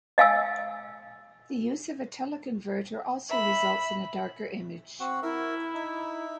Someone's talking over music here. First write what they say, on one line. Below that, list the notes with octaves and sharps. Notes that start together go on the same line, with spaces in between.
The use of a teleconverter also results in a darker image.
D#5 F5 G#5 E6
E5 B5
C4 F#4 F#5
E4 A#4 E5
D#4 E5